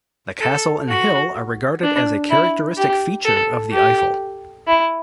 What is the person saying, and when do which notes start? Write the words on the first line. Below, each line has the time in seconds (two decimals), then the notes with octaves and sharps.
The castle and hill are regarded as a characteristic feature of the Eifel.
0.41 A4
0.89 F#4
1.83 D4
2.30 E4
2.77 G4
3.25 A4
3.72 G4
4.67 E4